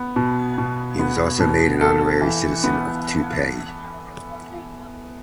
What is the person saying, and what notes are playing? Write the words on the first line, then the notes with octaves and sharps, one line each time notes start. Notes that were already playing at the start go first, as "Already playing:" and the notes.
He was also made an honorary citizen of Taipei.
Already playing: B3
B2
B2
B3
B2
A4
E3
B3